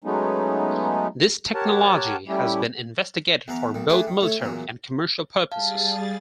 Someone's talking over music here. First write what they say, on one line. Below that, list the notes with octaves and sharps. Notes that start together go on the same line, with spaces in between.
This technology has been investigated for both military and commercial purposes.
F#3 G#3 A3 B3 C#4 D#4
G4 A#4 C#5 F#5 A5
G3 A3 C#4 E4 G4
E2 B3 A#5 D6
B1 D#3
A3 D4 E4 G4 G#4 B4
D#3
A3 C#5
E2 A#2 F#3
G3 G#4 F5 A5 A6